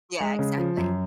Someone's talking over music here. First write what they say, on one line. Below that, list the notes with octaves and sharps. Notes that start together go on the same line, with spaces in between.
Yeah, exactly.
G#3
C#3
F3
F#2